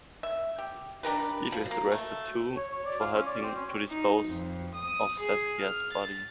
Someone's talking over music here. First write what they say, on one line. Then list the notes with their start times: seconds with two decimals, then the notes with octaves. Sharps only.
Steve is arrested too for helping to dispose of Saskia's body.
0.23 E5
0.58 G4
1.03 D4 G4 A#4 B4
1.52 F3
1.71 A#3
1.92 A3
2.57 C#5
2.72 C#5
2.86 D5
3.01 F4
3.14 C#4
3.26 D5
3.43 C4
3.56 C#4
3.89 D#4
4.28 F2
4.75 D#6
5.20 G#4
5.58 F6
5.92 A6